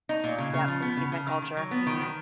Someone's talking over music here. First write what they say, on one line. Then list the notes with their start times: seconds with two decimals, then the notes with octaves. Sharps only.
Yep. Achievement culture. Mhm.
0.09 D#4
0.24 A#2
0.38 C#3
0.54 C#3
0.68 F3
0.82 B3
0.97 C#3
1.12 C#3
1.27 D#3
1.42 D#3
1.57 F#3
1.71 B3
1.87 D#3
2.01 D#3